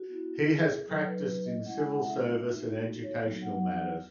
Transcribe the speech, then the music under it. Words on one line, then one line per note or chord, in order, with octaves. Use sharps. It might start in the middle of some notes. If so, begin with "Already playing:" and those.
He has practiced in civil service and educational matters.
Already playing: F#4
B3 E4
G#4
F#3 A3 D#4 A4
B4
B4
D#5
G#3 C#4 E4 F#5
G#5
F#5
E5
A3 D#4 F#4
C#5
F#3 B3 D#4 F#4
F#5
F#5